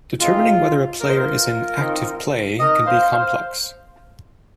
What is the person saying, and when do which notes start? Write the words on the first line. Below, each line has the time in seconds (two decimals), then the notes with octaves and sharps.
Determining whether a player is in "active play" can be complex.
0.20 C3 G#3 C4 D#4 F4
1.00 D#3 A#3 D#4 A#4
1.08 C5
1.16 F4 A#4
1.79 D#3 C4 D#4
2.59 D#3 C4 D#4 A#4 D#5
2.86 C5 F5
3.12 C5 F5